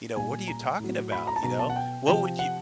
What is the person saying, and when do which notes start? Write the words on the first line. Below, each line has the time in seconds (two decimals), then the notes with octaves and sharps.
you know, "What are you talking about?" You know? What would you
0.16 A#2 G3 G#5
0.48 A#5
0.80 A2 F#3
1.12 B5
1.27 A#5
1.36 A5
1.43 B2 F#3 A#5
1.59 A5
1.70 F#5
1.76 G5
2.07 C3 F3 G5
2.39 F#5